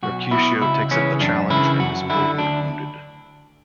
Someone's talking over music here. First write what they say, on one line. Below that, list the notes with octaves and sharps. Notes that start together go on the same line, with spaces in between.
Mercutio takes up the challenge and is mortally wounded.
B1 F#4
B2 E4
C#2 E4
C#3 E3 C#4
F#2 D4
C#3 E3 E4
F#2 F#4
D3 E4
D2 D4